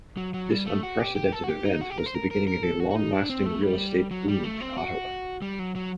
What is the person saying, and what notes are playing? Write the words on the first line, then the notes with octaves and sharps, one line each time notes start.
This unprecedented event was the beginning of a long-lasting real estate boom in Ottawa.
F#3
F#3
G3
A3
F#4
G4
G4
A4
F#4
G4
D#4
F#4
G4
A#4
C5
A#4
A#4
A#4
A4
F#4
F#4
D#4
D4
C4
A3
G3
F#3
G3
A3
C4
F#4
G3
F#3
F#3